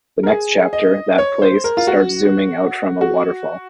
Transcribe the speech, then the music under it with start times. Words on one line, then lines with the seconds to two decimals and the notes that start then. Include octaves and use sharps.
The next chapter, "That Place", starts zooming out from a waterfall.
0.23 A#4
0.27 G#4
0.73 D#5
1.18 C#5
1.42 C5
1.64 A#4
1.77 F4
1.87 F#4
3.01 F#4